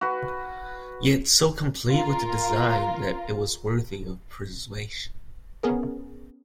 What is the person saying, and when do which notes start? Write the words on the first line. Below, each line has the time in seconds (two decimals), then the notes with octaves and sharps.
Yet, so complete was the design that it was worthy of preservation.
0.01 F#4 B4
1.91 F4 A#4
5.63 B3 C#4 G#4 A#4